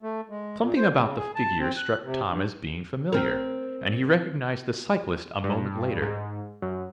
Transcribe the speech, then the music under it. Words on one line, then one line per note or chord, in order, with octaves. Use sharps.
Something about the figure struck Tom as being familiar, and he recognized the cyclist a moment later.
A3
G#3
A#2
C5
C#3
G#4
A5
C4
F#6
C3
G2
C4 A#4
G2
G#2
F#2